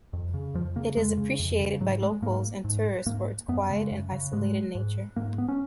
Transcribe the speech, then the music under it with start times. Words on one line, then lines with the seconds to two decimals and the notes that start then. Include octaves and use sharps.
It is appreciated by locals and tourists for its quiet and isolated nature.
0.13 F2
0.34 C#3
0.54 F2 F3
0.76 C#3 A#3
0.96 F2 G#3
1.17 C#3
1.39 F2
1.60 C#3
1.80 G#2 F#3
2.02 G#3
2.22 G#2 A#3
2.64 G#2
3.06 G#2 A#3
3.48 F#2 B3
3.70 C#3 G#3
3.91 F#2
4.12 C#3
4.32 G#2 G#3
4.75 G#2
5.16 G#2 A#3
5.38 B3
5.48 C#4